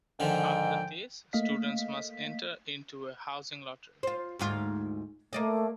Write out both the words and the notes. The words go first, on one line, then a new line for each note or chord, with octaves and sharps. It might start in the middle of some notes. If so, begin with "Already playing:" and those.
After this, students must enter into a housing lottery.
G#2 D3 D#3 F3 G5
A3 A#3 D#5 F5 B6
F4 C5
D2 G#2 F4
A3 A#3 D5 D#5